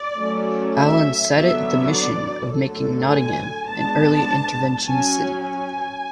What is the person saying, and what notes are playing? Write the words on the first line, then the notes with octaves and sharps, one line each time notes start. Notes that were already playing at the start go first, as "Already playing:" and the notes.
Allen set it the mission of making Nottingham an "Early Intervention City".
Already playing: D5
F#3 A3 C#4
E5
D3 F#3 B3 D4 E5
D5
D3 F#3 A3 A4
G#5
G#3 B3 D4 A5
F#3 C#4 G#5
G#5